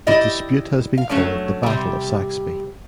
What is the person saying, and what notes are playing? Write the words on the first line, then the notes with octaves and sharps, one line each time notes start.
The dispute has been called the "Battle of Saxby".
E4 G4 D5 D#5
F5
F#3 A3 C#4 D4
C3 G3